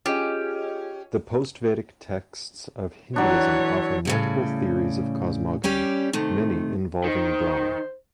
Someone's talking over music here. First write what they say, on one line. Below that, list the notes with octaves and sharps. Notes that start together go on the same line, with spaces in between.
The post-Vedic texts of Hinduism offer multiple theories of cosmogony, many involving Brahma.
C#4 F4 G4 G#4 D#5
E3 F#3 D4 C#5
A2 C#3 G3
G3 C#4 G4 D5
C3 D#3 A3
D#3 C5